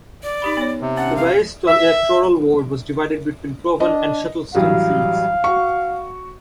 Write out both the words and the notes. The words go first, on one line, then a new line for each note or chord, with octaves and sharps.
The Baillieston electoral ward was divided between Provan and Shettleston seats.
D5
D#4 G4 B5
B3 C#5
C3
C#4 F#5
F5
E5
D4 D#5
A1 F#3 G3 F5
F#4 C#6